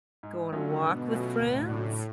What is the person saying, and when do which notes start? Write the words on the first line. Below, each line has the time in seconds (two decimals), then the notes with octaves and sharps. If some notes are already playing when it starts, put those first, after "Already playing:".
go on a walk with friends,
0.23 G#2
0.52 D3 F#3 A3 C#4 F4
0.81 G#2 B2
1.10 F#3 A3 C#4 F4
1.39 D2 A2
1.68 C#3 F#3 A3 D4